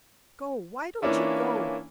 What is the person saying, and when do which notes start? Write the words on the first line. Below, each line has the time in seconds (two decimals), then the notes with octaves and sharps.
Go--why don't you go?
1.02 E3 A#3 C#4 D4 E4 F4